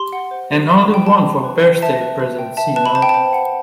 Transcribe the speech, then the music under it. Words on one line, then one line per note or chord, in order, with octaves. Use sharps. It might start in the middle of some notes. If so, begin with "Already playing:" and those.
And only one for birthday presents, you know.
Already playing: G4 C6
F#5
C5
G4
G4 C6
B5
F#5
G5
C5 A5
G4
B4
G5
E5 A5
B4
B4
G5
E5 A5
B4 A5
B5
C5 A5
G5
C5 A5
F#5